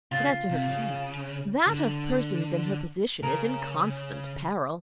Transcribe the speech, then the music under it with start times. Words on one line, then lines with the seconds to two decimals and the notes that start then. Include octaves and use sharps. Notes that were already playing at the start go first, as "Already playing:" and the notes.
But, as to her character, that of persons in her position is in constant peril.
0.11 C#3 F4
0.50 C3
0.69 C#3
1.67 D3
3.22 C#3 A#4